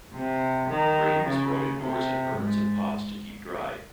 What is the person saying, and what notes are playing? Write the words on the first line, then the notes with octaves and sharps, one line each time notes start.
Grain was brought indoors in urns and pots to keep dry.
C3
D#3
C#3
C3
G#2